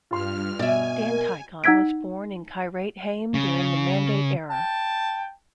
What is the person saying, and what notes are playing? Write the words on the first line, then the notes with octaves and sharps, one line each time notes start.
Dan Tichon was born in Kiryat Haim during the Mandate era.
G2 F4 C6 F6
B2 D5 E5 G#5
A#4
D#4 F#5 E6 G#6 B6 D7
C#3
G5 A5